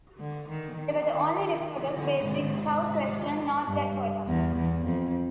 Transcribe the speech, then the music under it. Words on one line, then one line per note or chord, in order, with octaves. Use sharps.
They were the only reporters based in southwestern North Dakota.
D3
D#3
D#3
D3
G#2
G2
E2
E2
F2